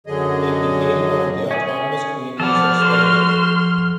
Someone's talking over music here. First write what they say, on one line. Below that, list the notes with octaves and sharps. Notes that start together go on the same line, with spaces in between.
It became one of the autonomous communities of Spain.
F#2 D3 F#3 G#4 D#5
C#4 G#4
F3 B3 A4 C5 D5 F#5 F6
F#4 A4 C5 C6